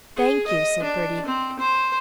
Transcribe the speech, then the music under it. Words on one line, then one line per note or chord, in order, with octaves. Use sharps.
"Thank you," said Bertie.
G#4
D#5
D4
C4
C5